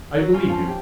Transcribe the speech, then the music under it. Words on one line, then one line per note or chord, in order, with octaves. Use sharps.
"I believe you."
F#3
C#4 F4
F3
G4